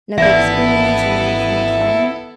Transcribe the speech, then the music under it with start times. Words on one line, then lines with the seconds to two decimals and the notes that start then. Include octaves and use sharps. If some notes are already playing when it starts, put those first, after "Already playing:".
another experience or maybe from a friend?
0.18 G#1 E3 B3 E4 A4 D5 E5